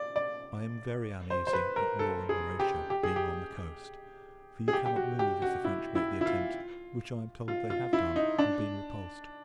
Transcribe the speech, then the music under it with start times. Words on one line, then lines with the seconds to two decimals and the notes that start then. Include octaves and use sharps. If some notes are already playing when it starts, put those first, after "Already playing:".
I am very uneasy at your and Horatia being on the coast: for you cannot move, if the French make the attempt; which, I am told, they have done, and been repulsed.
Already playing: D5
0.16 D5
1.30 C5
1.47 C5
1.53 B4
1.76 A#4
1.99 A4
2.29 G#4
2.60 G4
2.90 G4
3.03 G#4
3.16 G4
4.68 G#4
4.73 G4
4.86 G4
4.96 F#4
5.19 G4
5.42 F#4
5.64 E4
5.95 E4
6.21 E4
6.26 F4
7.48 F4
7.70 F4
7.93 E4
8.16 D#4
8.39 D4